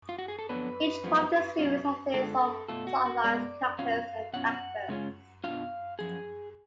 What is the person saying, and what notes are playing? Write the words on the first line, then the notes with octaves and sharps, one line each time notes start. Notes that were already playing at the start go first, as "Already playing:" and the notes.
Each part of the series had its own plotlines, characters, and actors.
F4
F#4
G#4
A4
F2 D3 F#3 B3 D4 B4
F#2 F3 G#3 B3 F4
B2 F#3 C#4 F4
D3 G#3 D4 F4 A4
B2 A3 F4 A4
F#4
F#4
B2 G#3 B3 D5
B2 F#3 C#4 F4 F5
B2 F#3 C#4 F4 F#5
C#3 G#3 C#4 F4
B2 G#3 D4 F4 F5
F#2 F3 G#4